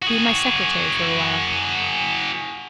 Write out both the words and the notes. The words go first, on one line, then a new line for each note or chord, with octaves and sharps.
Be my secretary for a while.'
F#4 G#4